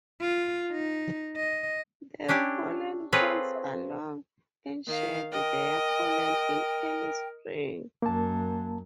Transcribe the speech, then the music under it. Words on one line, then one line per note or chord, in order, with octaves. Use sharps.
The pollen cones are long, and shed their pollen in early spring.
F4
D#4
D#5
C#4 D4 E4 G4
C4 F4 G#4 A4 B4 C#5
D#3 F5
A#4 D#5 G5
F#2 A#3 A5